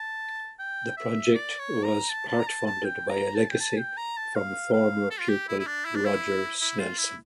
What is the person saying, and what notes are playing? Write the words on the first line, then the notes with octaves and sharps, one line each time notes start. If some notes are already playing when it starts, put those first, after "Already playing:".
The project was part-funded by a legacy from former pupil Roger Snelson.
Already playing: A5
G5
E5
D5
C#5
A#5
A5
A5
A#5
A5
A5
G5
A#5
A5
G5
A5
G5
A#5
A5
F5
F5
A4
F4
G4
E4
E4
D4
E4
D4
E4
E4
F4
E4